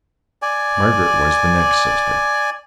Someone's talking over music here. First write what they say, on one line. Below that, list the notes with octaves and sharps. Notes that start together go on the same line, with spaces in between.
Margaret was the next sister.
D5 G#5